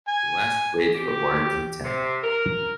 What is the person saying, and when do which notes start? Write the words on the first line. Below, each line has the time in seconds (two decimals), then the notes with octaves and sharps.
He last played for Warrington Town.
0.08 G#5
0.95 G4
1.84 C3
2.23 A#4